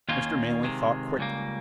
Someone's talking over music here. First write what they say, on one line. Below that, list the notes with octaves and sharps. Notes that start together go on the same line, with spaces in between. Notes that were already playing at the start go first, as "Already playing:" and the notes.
Mr. Manley thought quickly.
D#2 D#3 A#3 C#4 F4
C3 D#3 G#3
C#2 C#3 G3 A#3